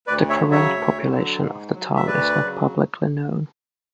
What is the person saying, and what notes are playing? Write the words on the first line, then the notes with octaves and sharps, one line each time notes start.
The current population of the town is not publicly known.
D2 B4 D5
C#5 E5
C#3 F#3
C#5 E5
D2
D3 F#3
G#2
F#3
E5
D2 B4 D5
C#3 F#3